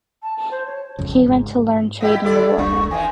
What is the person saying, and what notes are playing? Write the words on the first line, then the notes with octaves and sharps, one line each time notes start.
He went to learn trade in Livorno.
A5
A5
C5
C#5
G#1 F2 C#3
G#2
A#3 E4 G4 D#5
D#2 E4 A4 D5
E1 C2 A#3 D4 C#6
D#3 E3 G#5